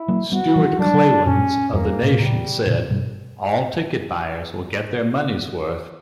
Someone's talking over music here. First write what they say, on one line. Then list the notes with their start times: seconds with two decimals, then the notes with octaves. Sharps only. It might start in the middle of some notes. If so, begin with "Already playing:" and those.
Stuart Klawans of The Nation said, All ticket buyers will get their money's worth.
Already playing: E4
0.08 F#3 A#3
0.32 G3 B3 F#4
0.55 E3 G3
0.79 F#3 D4
0.86 G3
0.94 D3 F#3
1.25 F#2 A#2 C#4
1.73 E2 G2 A#3
2.03 A#2
2.12 B2
2.20 A#2 C#3 G3
2.67 A#2 C#3
2.90 G2 B2